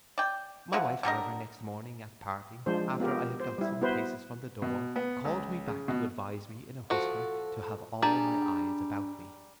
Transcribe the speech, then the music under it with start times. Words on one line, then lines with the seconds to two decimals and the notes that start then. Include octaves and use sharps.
My wife, however, next morning, at parting, after I had got some paces from the door, called me back, to advise me, in a whisper, to have all my eyes about me.
0.18 D5 G5
0.73 F3 E4 F#4
1.03 D3 G3 A#4 D#5
2.66 F3 G#3 D4 C5
3.00 B3 F4 G4 A#4
3.40 C5
3.58 G3 E4
3.81 B3 E4 F#4 B4 C5
4.62 B2
4.96 B3
5.25 C#2
5.67 C#3
5.88 B2
6.90 F3 F#4 A4
8.02 G3 D4 G#4 A5 A#5